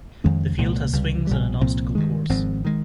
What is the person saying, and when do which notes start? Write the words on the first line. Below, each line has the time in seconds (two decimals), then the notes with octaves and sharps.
The field has swings and an obstacle course.
0.24 F2 D#3 G#3 C#4
0.58 C2 A#2 G#3
0.93 C#2 C3 G3
1.27 A#1 A#2 G3
1.61 C2 A#2 F3 C4
1.95 G2 D#3 G#3
2.29 G#1 G#2 F3 C4
2.65 D#3 G#3